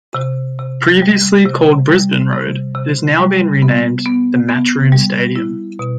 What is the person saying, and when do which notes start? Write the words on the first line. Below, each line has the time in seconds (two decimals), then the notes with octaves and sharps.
Previously called Brisbane Road, it has now been renamed the Matchroom Stadium.
0.15 C3
0.59 C3
1.02 G3
1.45 C3
1.89 G3
2.33 C3
2.75 C3
3.19 G3
3.62 B3
4.06 B3
4.49 B3
4.92 G3
5.36 E4
5.79 B2